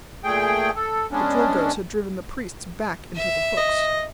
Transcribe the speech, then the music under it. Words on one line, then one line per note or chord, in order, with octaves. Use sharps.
The Drilgoes had driven the priests back into the hooks.
A#2 A3 G#4 G5
A4
G#3 B3 C#4 D4
E5
D#5